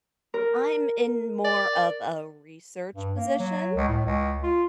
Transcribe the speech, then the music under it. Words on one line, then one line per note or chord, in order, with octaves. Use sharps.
I'm in more of a research position,
A#4
D5
G2
A#3
F#3
C#2
A2
C#2
F4